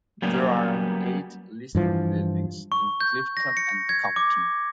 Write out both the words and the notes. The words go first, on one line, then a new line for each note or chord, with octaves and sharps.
There are eight listed buildings in Clifton and Compton.
F#3 G3 A#3 B3 C#4 G#4
G2 E3 F3
C#6
G6
A#6
C#7
G#6
D6